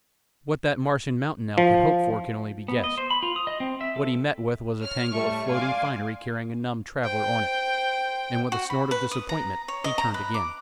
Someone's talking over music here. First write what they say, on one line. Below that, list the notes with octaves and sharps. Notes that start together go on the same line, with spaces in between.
What that Martian mountain elk had hoped for can only be guessed, what he met with was a tangle of floating finery carrying a numbed traveller on it, and with a snort of disappointment he turned again.
F3
B3
D#5
C5
B5
F4
D#6
D#5
C4
E5
A4
C#5 F6
A2 G3 A3 C#6
D5 F5 G#5 C6 D6
C5 G5
F#4
B5
B4
D#6
A#5
C#5
D#5
A#5
B4
D6